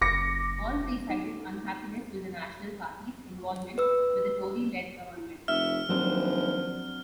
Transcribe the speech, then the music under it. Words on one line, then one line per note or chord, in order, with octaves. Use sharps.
All three cited unhappiness with the national party's involvement with a "Tory-led" government.
F#1 D6 A#6 C#7
D#4
B4 E6
F1 E5 F6
D#1 F3 F#3 C4 D4